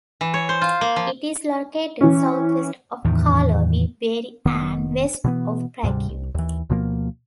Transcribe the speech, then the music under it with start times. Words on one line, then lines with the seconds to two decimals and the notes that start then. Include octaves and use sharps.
It is located southwest of Karlovy Vary and west of Prague.
0.21 E3
0.34 C#5
0.49 C5
0.61 F4
0.81 A#3
0.96 F3
2.01 E3 C#4
3.05 E2 A2 D#3
4.46 F1 D#3 B3
5.24 B2 E3 B3
5.83 D2 G#2 C3 G3
6.09 C2
6.35 D#2 E3
6.70 D2 B2 F3 A#3